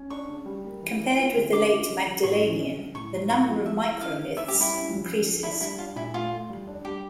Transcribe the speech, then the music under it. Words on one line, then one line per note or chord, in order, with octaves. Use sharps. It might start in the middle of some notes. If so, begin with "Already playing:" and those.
Compared with the late Magdalenian, the number of microliths increases.
Already playing: C#4
D4 C#6
C#3
G3
A#3
E3
E3
F4
D3
C#4 D6
F4
C#3
C#3
A2 C#6
C#4
C#3
C#3
A2 C#6
A2
E4 C#6
F3
A3 E5
E4 E5
C#3 F5
C#3
C#4 E5
G4
G3
E4
C#4
F3
C#4
F3
D4 E4
G3 E4
D4 F4
A#2 E4
A3 F4
A3
G3
D4
G3 G4